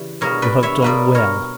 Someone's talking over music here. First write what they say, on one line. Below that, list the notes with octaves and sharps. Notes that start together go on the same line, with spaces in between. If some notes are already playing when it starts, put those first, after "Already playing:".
You have done well!
Already playing: C#3 E3 G4 D5
B2 G3 A#3 A#4 C#5
B4 D5
C#5 E5
B2 A#3 B4 D5
A#4 C#5